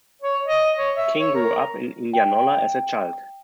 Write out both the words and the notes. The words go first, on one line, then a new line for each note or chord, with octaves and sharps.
King grew up in Indianola as a child.
C#5
D#5
C#5
E5
C#5
A#4
G5